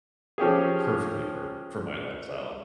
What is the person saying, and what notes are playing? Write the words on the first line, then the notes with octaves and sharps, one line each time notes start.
perfectly for for my lifestyle.
F3 C#4 G4 G#4